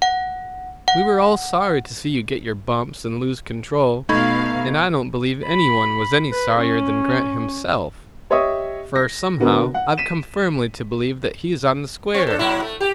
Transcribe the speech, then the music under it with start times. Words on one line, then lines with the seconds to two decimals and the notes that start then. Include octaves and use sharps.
We were all sorry to see you get your bumps and lose control, and I don't believe any one was any sorrier than Grant himself; for, somehow, I've come firmly to believe that he's on the square.
0.02 F#5
0.88 F#5
4.09 B2 A3 D#4 F5 B5 C#6 G#6
5.46 B5
6.32 B4
6.61 C#4
8.30 G4 C#5 D#5 E5 C#6 D#6
8.96 A#6
9.40 D3 B3 F#4 A#4
9.74 F#5
9.98 B6 D#7 E7
12.14 C4
12.27 D4 A4
12.39 A#2 F#3 E4
12.62 A3
12.80 G4